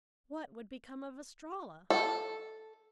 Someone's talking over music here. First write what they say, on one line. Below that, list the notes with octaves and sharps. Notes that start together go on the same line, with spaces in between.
What would become of Estralla?
A4